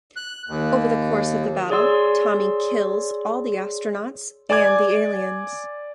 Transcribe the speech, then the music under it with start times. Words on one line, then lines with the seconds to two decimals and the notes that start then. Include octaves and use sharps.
Over the course of the battle, Tommy kills all the astronauts and the aliens.
0.17 F#6
0.48 D#2
1.70 G#4 C#5 D5 C6 E6
4.50 D5 G#5 D6 G#6